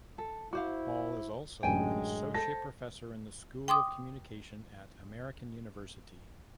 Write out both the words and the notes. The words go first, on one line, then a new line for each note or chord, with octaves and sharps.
Hall is also an associate professor in the School of Communication at American University.
A4
E4 F#4 C5 F5 D6
A1 F#2 D3 G#3 G5 G#5
A4 C5 A#6
G5 C6 D6 D#6